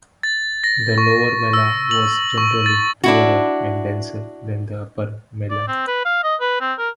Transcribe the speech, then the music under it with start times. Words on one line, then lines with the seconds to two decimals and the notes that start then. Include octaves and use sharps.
The "Lower" Mellah was generally poorer and denser than the Upper Mellah.
0.23 A6
0.64 A#6
0.98 C#6
1.53 E6
1.91 F#7
2.38 C#6
2.66 A6
3.04 D4 E4 F#4
5.51 D5
5.68 C4
5.87 B4
6.05 F5
6.23 D#5
6.41 B4
6.61 C4
6.78 A#4